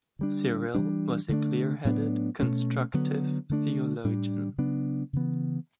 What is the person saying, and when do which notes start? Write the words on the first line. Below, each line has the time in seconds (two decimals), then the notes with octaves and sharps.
Cyril was a clear-headed, constructive theologian.
0.19 D3 G3 D4
0.75 E3 G3 D4
1.29 D3 A3 D4
1.85 A2 F#3 B3 D4
2.40 B2 A3 C#4
2.94 D3 F#3 B3
3.49 D3 A3 D4
4.04 A2 G3 D4
4.58 C#3 F#3 B3 D4
5.13 C#3 E3 B3